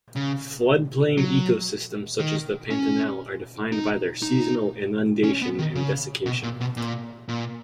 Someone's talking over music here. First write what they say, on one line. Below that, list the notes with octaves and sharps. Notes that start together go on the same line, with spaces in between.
Floodplain ecosystems such as the Pantanal are defined by their seasonal inundation and desiccation.
C#3
F#3
D#3
C#4
D#4
D#4
C#4
B3
D#3
C#3
B2
A#2
B2
A#2
A#2